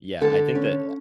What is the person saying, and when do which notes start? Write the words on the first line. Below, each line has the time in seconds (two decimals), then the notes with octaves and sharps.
Yeah, I think that a
0.21 D3 A4
0.55 C#4